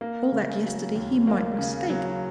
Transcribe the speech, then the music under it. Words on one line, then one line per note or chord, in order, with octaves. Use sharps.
All that yesterday, he might mistake.
A#3
C#3
F#3
D#2
A#3
C#3
F#3